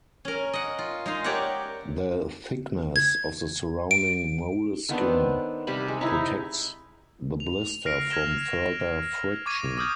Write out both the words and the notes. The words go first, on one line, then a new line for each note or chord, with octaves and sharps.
The thickness of the surrounding moleskin protects the blister from further friction.
C#4 A#4
D#5 F#5
F4
G#3 D#4 F5
G4 A#4 C#5 D5 E5 F#5
G#6
D7
D#3 B3 C4 D4
C3 G3 G4 B5
G#3
D#4 E4
F7
F6 A#6 C7 D7
F6 G#6 A#6 E7 G7
C#6 D6 G#6 D#7
D6 D#6 F6 G6